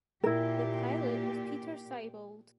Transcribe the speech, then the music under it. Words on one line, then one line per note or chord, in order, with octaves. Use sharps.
The pilot was Peter Siebold.
A#2 E4 G4 A#4